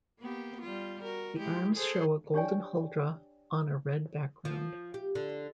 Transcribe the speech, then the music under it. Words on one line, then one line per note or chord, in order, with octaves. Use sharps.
The arms show a golden huldra on a red background.
A#3 B3 G4
G3 F4
F#4 A#4
G#3 E4 G4
G#4 A4 C5
D4 G4 C#5 D5 G5 G#5
F3
G4
D3